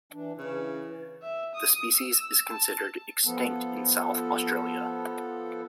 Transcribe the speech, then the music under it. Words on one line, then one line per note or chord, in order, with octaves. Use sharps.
The species is considered extinct in South Australia.
E3 D4
C#3 E3
E5
D#6
E6
A5
F3 B3 A4